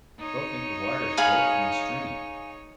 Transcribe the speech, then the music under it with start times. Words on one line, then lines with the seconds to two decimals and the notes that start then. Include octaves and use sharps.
They'll think the wires broke from the strain.
0.19 D#4 C#5
1.17 G#4 F5 B5